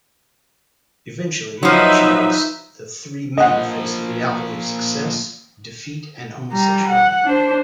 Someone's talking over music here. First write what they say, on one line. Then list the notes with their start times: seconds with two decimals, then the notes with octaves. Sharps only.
Eventually, she makes the three men face the reality of success, defeat and homosexuality.
1.63 F3 F#3 D#4 B4 E5
3.38 A#2 F3 D#5 F#5
6.52 G3 A#5
6.89 F#5
7.24 D4 C5